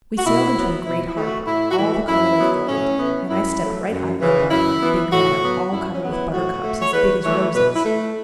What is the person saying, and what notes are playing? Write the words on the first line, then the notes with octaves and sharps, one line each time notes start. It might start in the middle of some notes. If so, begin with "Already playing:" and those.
We sailed into a great harbor, all the color of gold, and I stepped right out of the boat on a big meadow all covered with buttercups as big as roses.
F#4
B2 E4
F#3 B3
B2 E4
E4
A3
F#4
A2 E4
F#4
E3 A3 E4
F#2 E4
F#3 B3
A2 C#4
E3 B3
F#2 E4
F#3 A3
F#2
C#3 E3
F#2 E4
E3 B3
A2 F#4
F#3 B3
F#2 E4
C#4
F#3 B3
E4
A2 F#4
A3
C#5
E2 B4
E3 A3 C#5
B2 B4
E4
A3